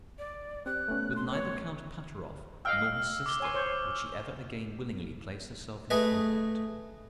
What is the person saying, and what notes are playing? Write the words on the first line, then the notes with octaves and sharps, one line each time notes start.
With neither Count Pateroff nor his sister would she ever again willingly place herself in contact.
D5
C4 G4 F#6
A3 B3 C#4
C6
C#5
D#5 F5 G5 E6 F6
D6 G7
C#5 G#5 C6
C5 C#5
A3 G#4 B4 D#5